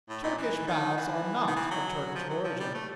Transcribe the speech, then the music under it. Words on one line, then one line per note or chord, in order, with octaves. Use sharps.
Turkish baths are not of Turkish origin.
A2
A#2
E3
D#3
E3
D#3
E3
F#3
F3
F#3
F3
G3
A3